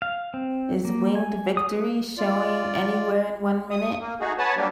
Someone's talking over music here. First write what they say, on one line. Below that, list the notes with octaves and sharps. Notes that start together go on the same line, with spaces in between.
Is Winged Victory showing anywhere in one minute?
F5
C4
A#3
G#5
D#6
B4
F4 D5
D#6
A#3
A3 D#4 F#4 G#4
B3 B4 C#5 F#5 G#5 A5
F#3 G3 A#3 D4 G4